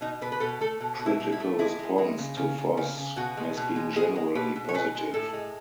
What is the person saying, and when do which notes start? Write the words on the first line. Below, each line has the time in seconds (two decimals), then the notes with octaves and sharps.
Critical response to Voss has been generally positive.
0.01 B2 D#4
0.21 B2 B4
0.32 B4
0.40 B2 A4
0.61 A3 A4
0.80 B2
0.99 B2
1.06 E4
1.20 B2
1.32 E4
1.40 A3
1.59 G#3 E4
1.79 G#3
1.98 G#3
2.18 C#3
2.37 C#3
2.58 C#3
2.77 C#3
2.97 C#3
3.16 B2 F#4
3.37 G#3
3.57 B2
3.76 G#3
3.96 G#3 G#4
4.16 G#3
4.35 B2 B4
4.56 B2
4.69 C#5
4.74 G#3 B4
4.95 G#3
5.14 A2 A4
5.33 G#3